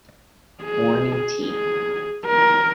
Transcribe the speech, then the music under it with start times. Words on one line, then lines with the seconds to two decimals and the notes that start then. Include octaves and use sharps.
Morning tea.
0.62 G#4
1.45 G#4
2.26 A#4